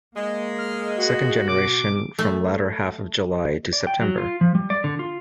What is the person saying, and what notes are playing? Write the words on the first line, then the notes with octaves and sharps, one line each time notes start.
Second generation from latter half of July to September.
G#3 A#3
F6
F#4
B2 D6
A3
D5
G5
F#3
F4
F3
G3
D5
D3
F4